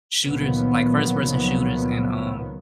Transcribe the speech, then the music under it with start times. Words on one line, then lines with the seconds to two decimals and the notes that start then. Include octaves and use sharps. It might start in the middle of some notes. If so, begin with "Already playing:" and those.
shooters like, first-person shooters and, um
0.24 C#2 A#2 D#3 F3 F#3 B3